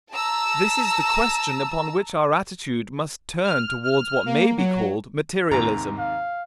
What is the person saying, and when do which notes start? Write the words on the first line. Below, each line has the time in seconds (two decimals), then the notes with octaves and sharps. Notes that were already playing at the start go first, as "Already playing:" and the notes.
This is the question upon which our attitude must turn towards what may be called materialism.
0.11 A5 A#5 E6
3.44 F6
3.83 F6
4.26 A#3
4.57 F#3
5.52 D#2 G#2 C3 A#5
5.98 F5